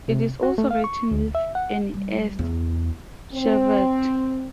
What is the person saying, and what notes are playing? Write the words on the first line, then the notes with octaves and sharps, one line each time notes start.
It is also written with an "S", Sheveret.
C3
F#4
A3
F5
C#6
D2
E5
F#5
G3
E2
C4